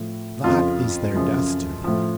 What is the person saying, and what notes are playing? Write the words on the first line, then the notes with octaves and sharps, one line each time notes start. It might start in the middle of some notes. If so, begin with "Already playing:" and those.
That is their destiny.
Already playing: A2 F3
F2 C#3 F3 F4
F#2 C#3 F3
A2 F3